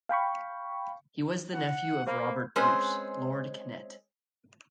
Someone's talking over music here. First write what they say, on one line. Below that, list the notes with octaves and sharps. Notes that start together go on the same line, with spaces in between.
He was the nephew of Robert Bruce, Lord Kennet.
F5 G5 B5 C#6
F#5
A#3 C5 F5 B5
G#3 C4 C#4 G#4 B4 C5